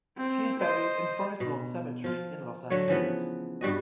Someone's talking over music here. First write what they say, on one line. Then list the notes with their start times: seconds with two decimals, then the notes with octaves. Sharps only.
She is buried in Forest Lawn Cemetery in Los Angeles.
0.18 C4
0.60 C5 D#5
1.40 B2
2.04 F3 F4
2.70 D3 F#3 A3 C#5
2.88 C#3 E3 F3 B3
3.61 G2 G3 F#4 D#5